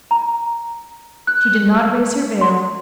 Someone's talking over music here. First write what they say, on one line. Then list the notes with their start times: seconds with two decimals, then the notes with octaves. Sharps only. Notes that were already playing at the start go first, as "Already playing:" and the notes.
She did not raise her veil.
0.11 A#5
1.27 F#6
2.41 C6